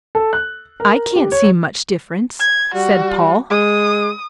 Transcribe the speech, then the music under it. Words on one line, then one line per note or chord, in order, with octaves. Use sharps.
"I can't see much difference," said Paul.
A4
F#6
A#4
G4
C#5
G#6
G3 F#4
G#3 D#6